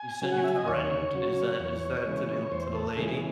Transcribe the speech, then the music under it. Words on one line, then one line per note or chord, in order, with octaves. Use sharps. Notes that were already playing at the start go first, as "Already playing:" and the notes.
You said you've threatened, is that is that to the to the lady?
Already playing: G#5
C#3 F#3
F#5
E5
D#5
D#2 C#5
C#3 F#3
E2
C#3 E3 G#3
E2 C5
A4
C#3 E3 G#3 G#4